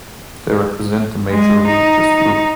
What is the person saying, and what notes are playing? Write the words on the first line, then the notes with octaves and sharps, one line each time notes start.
They represent the major religious group.
G#3
D#4